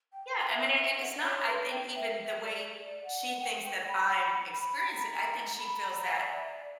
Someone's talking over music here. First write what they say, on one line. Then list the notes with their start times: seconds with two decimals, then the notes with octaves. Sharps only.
Yeah, I mean, and and it's not, I think, even the way she thinks that I'm experience it, I think she feels that
0.13 G5
0.49 E5
1.01 F#5
1.08 E5
1.15 D5
1.22 C#5
1.47 B4
1.70 G5
1.95 E5
2.20 E5
2.43 D5
2.68 D5
3.04 F#5
3.40 G5
3.64 G5
3.88 B5
4.86 A#5
5.58 B5
5.82 A#5
6.07 F#5
6.21 D5
6.31 E5
6.49 D5